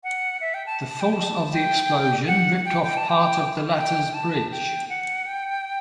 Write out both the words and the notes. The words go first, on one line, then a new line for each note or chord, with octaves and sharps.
The force of the explosion ripped off part of the latter's bridge.
F#5
E5
G5
A5
A5
G5
A5
G5
F#5
G5
G5
A5
G5
G5
A5
G5
F#5
G5